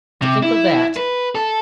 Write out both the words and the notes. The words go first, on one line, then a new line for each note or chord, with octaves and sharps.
'To think of that!
C3
E4
B4
A4